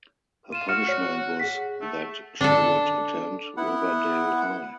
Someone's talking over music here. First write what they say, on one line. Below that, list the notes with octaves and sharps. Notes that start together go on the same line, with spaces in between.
Her punishment was that she would attend Riverdale High.
F4 D#7 E7
F#4 F6 C#7
C#5
G#4 F#5 B6
A3
D4 A4
B3 E4 F#5